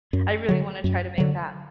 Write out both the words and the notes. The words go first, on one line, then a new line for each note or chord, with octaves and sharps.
I really wanna try to make that.
F#2
D3 F#3
F#2
D3 F#3